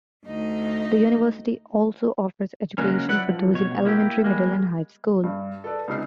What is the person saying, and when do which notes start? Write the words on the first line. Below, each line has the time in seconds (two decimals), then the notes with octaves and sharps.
The university also offers education for those in elementary, middle, and high school.
0.25 D2 D#4
2.78 C#3 F#3 G#3 A#3 C#4
3.09 F#3 E4 B4 D5 F#5
3.29 F3
3.54 B2 C#5
3.85 A#3 E4 G4
4.24 G3 G#3 A#3
5.24 G2
5.64 A4 B4 D5
5.88 C#2 C3 D#4 F6 C7